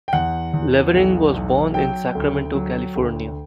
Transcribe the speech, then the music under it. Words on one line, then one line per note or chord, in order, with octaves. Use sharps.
Levering was born in Sacramento, California.
G5
E2 F#5
E2
B1
B1
F#3 G5
D2
F#3
D2